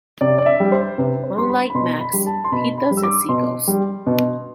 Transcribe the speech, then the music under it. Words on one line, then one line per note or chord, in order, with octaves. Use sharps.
Unlike Max, he doesn't see ghosts.
C3 D5
D5
E5
G3
C5
C3 B4
C5
G3 C6
B5
B5
B2 C6
B5
G3
A5
C6
B2 B5
B5
G3
E6
D6
B2 C6
G3
B2